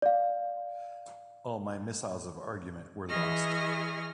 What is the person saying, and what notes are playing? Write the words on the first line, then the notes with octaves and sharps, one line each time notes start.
All my missiles of argument were lost.
D5 F5
E3 G#4 D#5 C#6 D#6 F6